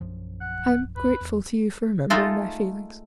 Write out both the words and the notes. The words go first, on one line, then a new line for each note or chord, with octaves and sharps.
"I am grateful to you for remembering my feelings."
A#1 F#2 F3
F#5
B1 F2 B4
E2
G#3 A3 D#4 F4 A4